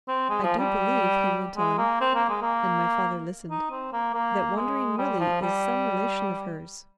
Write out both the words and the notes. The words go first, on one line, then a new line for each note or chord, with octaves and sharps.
I do believe," he went on, and my father listened, "that Wandering Willie is some relation of hers.
C4
G#3
F3
G3
G#3
A#3
C4
A#3
G#3
A#3
D#4
C4
A#3
A#3
G#3
G3
F3
G3